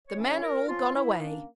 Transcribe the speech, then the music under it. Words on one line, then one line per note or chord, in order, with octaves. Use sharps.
The men are all gone away.
C#5
E3 A3 C#4
C#5
A#2 A#4
F3 C#4 F4
E3 E4
A#3 C#4 D4